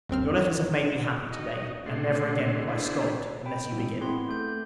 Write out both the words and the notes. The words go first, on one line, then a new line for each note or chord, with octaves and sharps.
Your letters have made me happy, to-day; and never again will I scold, unless you begin.
G1 D#2 C4 F6
D#4 F#4 D#5
A#2 A3 D4 G#4 F#5 C6
B3 D4 E4 G#4 C5
G5 B5
G#2 E3
B3 C4 E4 G#4 C6
A3 A4 G6